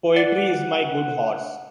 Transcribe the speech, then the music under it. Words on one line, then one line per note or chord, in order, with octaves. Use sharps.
Poetry is my good horse.
D5 F#5